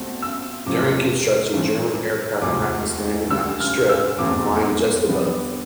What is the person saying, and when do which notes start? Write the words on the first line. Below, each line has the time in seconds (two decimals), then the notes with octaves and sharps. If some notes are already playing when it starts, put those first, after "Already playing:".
During construction German aircraft practice landing on the strip, flying just above.
Already playing: C2 B2 A3 C4
0.22 E6
0.66 E2 C3 F3 A3 C4 D6
1.54 G2 E3 A3 C4
2.42 E1 D2 C3 F3 A3 D6
3.30 D2 D3 G3 E6
3.60 F6
3.89 E6
4.19 F1 E2 B2 A3 C4 D6
5.06 E2 D3 G3 B3